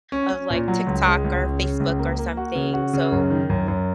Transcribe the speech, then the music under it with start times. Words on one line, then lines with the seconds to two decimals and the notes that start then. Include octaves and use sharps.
of, like, TikTok or Facebook or something, so
0.12 C#4
0.30 C#4
0.50 A#2
0.68 F#3
0.87 C#2
1.06 G#3
1.24 C#2
1.43 C#3
1.62 C#3
1.80 C#2
1.99 A#3
2.19 A#3
2.37 F#4
2.55 C#3
2.74 F#4
2.93 C#3
3.12 F#2
3.30 D#3
3.50 F#2
3.68 F#2